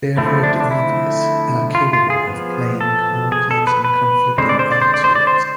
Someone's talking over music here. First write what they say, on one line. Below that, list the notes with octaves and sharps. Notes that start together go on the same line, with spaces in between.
They avoid the obvious, and are capable of playing complex and conflicting attitudes.
D3 F3 A3 C4 E4
D4
D4
E4
F4
F4
G#4
F3 B3
A4
G#4
A4
B4
B4
D3 G#3 C4 C5
D5
C5
D5
C5
D5
C5
D5
C5